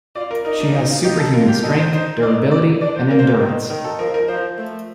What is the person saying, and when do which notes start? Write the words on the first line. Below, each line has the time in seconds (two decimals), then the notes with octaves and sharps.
She has superhuman strength, durability, and endurance.
0.15 F4 D5
0.31 A#4
0.45 D#4 A#4
0.60 D4
0.75 D#4
0.89 F4
1.04 D#4 G4
1.19 A4
1.34 F4 A#4
1.48 G4
1.63 D#4 A4
1.78 C5
1.93 D#4 C5
2.22 D#4 D5
2.51 D5
2.81 D4 D5
2.95 C5
3.11 A#3 A#4
3.19 C5
3.27 A#4
3.40 D#3
3.70 D#3 A#4
3.85 A4
3.99 F3 A#4
4.14 A#4
4.28 F3 C5
4.58 A3